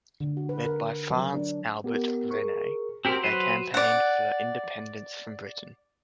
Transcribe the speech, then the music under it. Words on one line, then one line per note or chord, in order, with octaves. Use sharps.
Led by France Albert Rene, they campaigned for independence from Britain.
D3
F#4
B4
A#4
F#3
D4
B3 G4 A#4
G#4 A#4 C#6
C4 F#4 G4 A#4 C6
F#3 B4 C5
D5 F#5